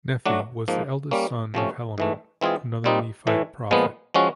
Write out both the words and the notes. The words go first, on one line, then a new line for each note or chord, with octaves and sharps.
Nephi was the eldest son of Helaman, another Nephite prophet.
F#3 A3 D4 F#4
G#2 F3 A#3
G3 A#3 C#4
C3 F3 A3 C#4
G#2 E3 A3
E3 G#3 C4 F4 G#4
A#2 G3 C4 D#4
A2 E3 A3
A#2 F3 G#3 B3
F3 G#3 C#4 F#4